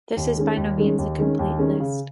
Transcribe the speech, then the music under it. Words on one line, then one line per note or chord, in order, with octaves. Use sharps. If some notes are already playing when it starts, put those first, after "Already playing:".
This is by no means a complete list.
D#2
D#3 G#3 C#4
D#2
D#3 G#3 C#4
D#2
D#3 G#3 C#4
D#2
D#3 G#3 C#4
C#3